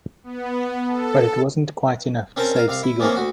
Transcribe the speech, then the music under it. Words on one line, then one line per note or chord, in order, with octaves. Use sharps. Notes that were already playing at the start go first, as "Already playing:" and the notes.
But it wasn't quite enough to save Siegel.
B3
A4
C4 C#4 A#4 G5 A5
A#4 F5
C2 F5
E4
E3 F3 A#3 C4 C#4
D2 F#4